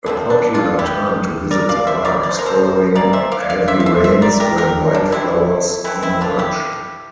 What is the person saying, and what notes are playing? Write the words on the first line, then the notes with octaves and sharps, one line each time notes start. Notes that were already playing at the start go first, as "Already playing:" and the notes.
A popular time to visit the park is following heavy rains when wildflowers emerge.
C3 F3 A3 C4
D4
D4 F4
E4 G4
A#4 D5
D5 F5
C5 E5
A#4 D5
D5
C5
A#4
A4 C5
E3 A#3 A#4 D5
C5 E5
D5 F5
D5 F5
C5 E5
F5
C5 E5
C5 E5
A#4 D5
G4 A#4
G4 A#4
D4
C4 E4
E3 A3 C4 E4
C4 E4
D4 F4
E4 G4